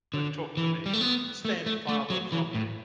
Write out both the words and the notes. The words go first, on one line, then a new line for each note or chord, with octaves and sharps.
Don't talk to me, and stand farther from me!
D3
E3
G3
A3
B3
A3
A3
A3
F#3
E3
A2